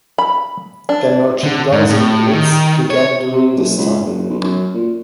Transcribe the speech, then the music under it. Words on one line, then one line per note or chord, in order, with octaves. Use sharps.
A merchandising blitz began during this time.
B5
D4
D3
G#2
A2
D#3
C#5
C3
F#1
C#2
F#1
B1
F#2
A#2